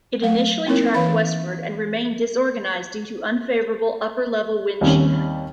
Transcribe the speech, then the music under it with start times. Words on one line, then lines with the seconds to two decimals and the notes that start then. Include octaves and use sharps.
It initially tracked westward and remained disorganized due to unfavourable upper-level wind shear.
0.21 F#3 A3 F5
0.66 A#3 C4 D#4 E4 A#4 C#5
0.94 E3 B4 F5 B5
4.81 D#2 G3 C4 C#4